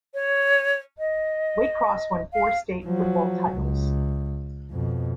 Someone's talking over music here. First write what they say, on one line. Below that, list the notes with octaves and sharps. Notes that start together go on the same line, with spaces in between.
Waycross won four state football titles.
C#5
D#5
F5
F3 F#3
C#2
F2 B2